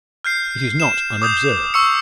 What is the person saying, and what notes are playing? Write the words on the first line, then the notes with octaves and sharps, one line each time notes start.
It is not unobserved.
F6 G6 C7
E7
D6 D#6 G6
C#6 E6 C#7